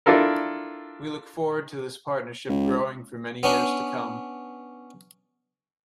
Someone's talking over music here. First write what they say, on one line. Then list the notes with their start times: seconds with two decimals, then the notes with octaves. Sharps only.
We look forward to this partnership growing for many years to come.
0.06 D4 E4 F4 A4 A#4
2.48 C#2
3.43 B3 C#4 D4